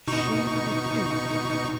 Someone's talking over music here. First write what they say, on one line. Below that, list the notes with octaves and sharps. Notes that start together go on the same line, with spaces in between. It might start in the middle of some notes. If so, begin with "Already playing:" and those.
"She refused it."
B2 D#4 C#6